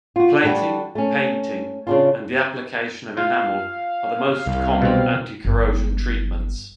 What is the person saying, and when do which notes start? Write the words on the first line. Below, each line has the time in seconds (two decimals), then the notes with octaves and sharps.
Plating, painting, and the application of enamel are the most common anti-corrosion treatments.
0.16 F4 F#4
0.43 D3 G3 D4 E4 F#4
0.95 A3 C#4
1.87 C#3 D4 F4
3.17 F4 F5
4.46 C2
4.82 B2 C4
5.45 G1